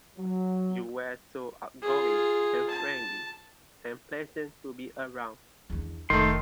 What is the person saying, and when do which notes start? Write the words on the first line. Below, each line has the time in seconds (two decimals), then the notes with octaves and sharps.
You were so outgoing and friendly and pleasant to be around.
0.18 F#3
1.82 F4 G#4
2.70 A5
5.70 E2 D3
6.10 F1 D#3 A3 C6